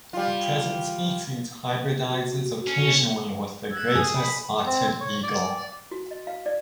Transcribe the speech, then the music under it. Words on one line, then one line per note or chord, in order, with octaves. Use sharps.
The present species hybridizes occasionally with the greater spotted eagle.
G3 F4
F#4
C#4
E6 F#6 G#6
G#4
B5
C4
C#5
D5
F#4
D#5
F5
D5